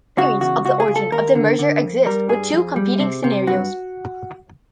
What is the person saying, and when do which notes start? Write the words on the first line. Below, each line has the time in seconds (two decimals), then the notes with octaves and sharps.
Theories of the origin of the merger exist, with two competing scenarios.
0.18 C#3 F#4
0.41 E2 F#4
0.65 C#2 F#4
0.80 G#4
0.88 C#2
0.96 A4
1.12 D#2 A#4
1.35 D3
1.59 D3
1.83 F2
2.06 G3 A#4
2.29 G2 G#4
2.53 F2
2.76 G3
3.00 C3
3.24 C3
3.47 G2 F#4